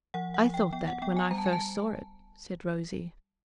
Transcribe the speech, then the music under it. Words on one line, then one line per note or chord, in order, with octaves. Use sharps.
"I thought that when I first saw it," said Rosy.
F3 F#5
F#5
F3
G5
B3 G5
F#5
B3 G5
G#5
G3 A#5
A5
G#5
A5